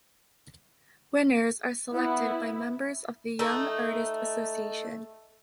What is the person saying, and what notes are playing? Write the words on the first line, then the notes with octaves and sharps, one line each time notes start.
Winners are selected by members of the Young Artist Association.
B3 E4
A3 D#4